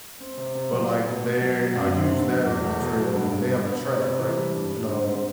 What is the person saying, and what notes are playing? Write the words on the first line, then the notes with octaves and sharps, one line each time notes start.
but, like, they I use that as my trail, like, they have a track, right, and, um,
C4
C3
C3
F#3
B3
B2
B2
F#3
F#3
F#2
C4
D3
F#3
E2
A3
B2
F#3
G2
G2
D3
B3
C3
C3
E3
G3
G2
G2
D3
C4